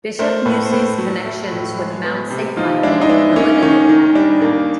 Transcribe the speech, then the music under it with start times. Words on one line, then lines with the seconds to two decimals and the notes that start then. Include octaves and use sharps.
Bishop Musey's connections with Mount Saint Michael were limited after that.
0.19 A3 A#4 C5
0.46 A2 A4 B4
0.65 C5
0.72 A2 A4 B4
0.98 F#3
1.25 A3
1.52 A2
1.78 G#3
2.04 B3
2.30 C3
2.57 F3 D#4 F4
2.83 G#3 D4 E4
3.01 D#4
3.09 B3 D4 E4
3.36 A#3 C#4 D#4
3.63 D#3 C#4
3.89 D#3 C#4
4.15 G3 D4
4.42 A#3